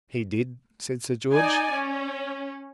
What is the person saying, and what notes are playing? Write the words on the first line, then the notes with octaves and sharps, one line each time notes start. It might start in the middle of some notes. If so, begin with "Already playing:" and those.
"He did," said Sir George.
D#4 D5 G#5
C#4